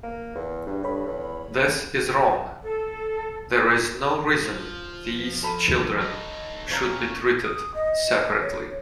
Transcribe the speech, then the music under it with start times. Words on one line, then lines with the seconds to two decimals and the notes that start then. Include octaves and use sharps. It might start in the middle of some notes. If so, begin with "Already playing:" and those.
This is wrong... There's no reason these children should be treated separately.
0.03 A#3
0.35 E2
0.67 G2
0.83 G2 A4 C#5 B5
1.07 E2
2.62 A4
4.43 F3
5.43 A4 B5
6.01 D#4 C#5
6.71 C#4 G4 C#5 F5 A#5
7.44 D#6
7.75 D#5
8.41 C#5